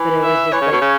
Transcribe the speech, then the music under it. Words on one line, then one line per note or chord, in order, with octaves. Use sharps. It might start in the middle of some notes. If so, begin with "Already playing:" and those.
but it was just like
Already playing: E3
E5
E3 C#5
C#3
B2
C#3